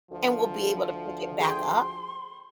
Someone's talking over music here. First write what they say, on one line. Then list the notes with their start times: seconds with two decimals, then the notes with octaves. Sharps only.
and we'll be able to pick it back up.
0.11 D2 F3
1.41 G#4 G5 C6